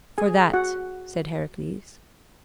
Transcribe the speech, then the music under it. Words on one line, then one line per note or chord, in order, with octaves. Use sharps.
"For that," said Heracles.
G#4 G#5
F#4 F#5